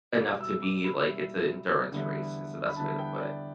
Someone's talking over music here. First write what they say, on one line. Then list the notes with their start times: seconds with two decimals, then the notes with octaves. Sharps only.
enough to be like it's a endurance race, is the best way to put it,
0.19 B2 G3 E4 D6
0.41 E6
0.62 D6
0.84 B5
1.06 B2 G3 E4
1.91 E2 D3 G3 B3 E4
2.68 B5
2.77 E2 D3 G3 B3 E4 A5
2.99 G5
3.20 D5